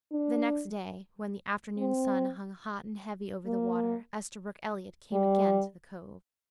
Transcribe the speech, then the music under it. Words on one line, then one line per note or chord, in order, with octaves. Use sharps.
The next day, when the afternoon sun hung hot and heavy over the water, Esterbrook Elliott came again to the Cove.
D4
C4
A#3
G3